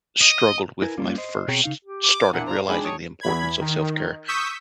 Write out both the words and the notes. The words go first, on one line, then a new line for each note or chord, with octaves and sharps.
struggled with when I first started realizing the importance of self care
D#5
E4 A#4 B4 G#5
G3 A#3 C#4 F4
C5 D#5
B2 C4 G#4 C#5 G5 A#5
C#3 D#4 F5
G4
D6 D#7
A#2 D4 E4 F#5
C5 D5 F5 A#5
G#3 D4 D#4 G#4 G5 B5
C#5 A5 D#6 D7
E2 B5 G#6
D#3
C#6 D#6 E6 G6 B6